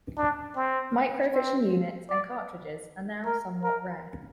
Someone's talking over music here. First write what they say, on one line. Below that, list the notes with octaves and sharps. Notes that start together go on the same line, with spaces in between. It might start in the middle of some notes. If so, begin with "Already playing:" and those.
Microvision units and cartridges are now somewhat rare.
D4
C4
C4
D5
A#4
A#4